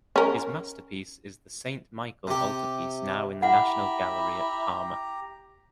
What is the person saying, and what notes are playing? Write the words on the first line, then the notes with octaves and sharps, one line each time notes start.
His masterpiece is the "Saint Michael" altar-piece now in the National Gallery at Parma.
C#4 A#4
C3 G4
E4 G4 F#5 A#5